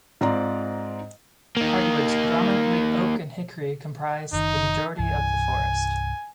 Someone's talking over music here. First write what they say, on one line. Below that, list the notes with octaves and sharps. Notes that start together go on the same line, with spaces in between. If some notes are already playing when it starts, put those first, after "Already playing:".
Hardwoods, predominantly oak and hickory, comprise the majority of the forest.
G#2 C4 F4 D5 A#5
A#3 D#4
F#1 D#3 D#4
C2 G2 E3 G#5